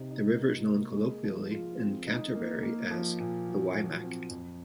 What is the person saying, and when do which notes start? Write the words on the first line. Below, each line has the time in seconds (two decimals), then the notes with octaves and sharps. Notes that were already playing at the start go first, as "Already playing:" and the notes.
The river is known colloquially in Canterbury as "The Waimak".
Already playing: C3 D#4
0.11 D#4
0.40 A#3
0.68 A#3
0.95 G#3
1.24 F3
1.51 F4
1.79 C4
2.07 D#4
2.35 A#3
2.63 A#3
2.91 F3
3.20 A#2
3.48 F#3
3.76 F#3
4.03 C4
4.31 F2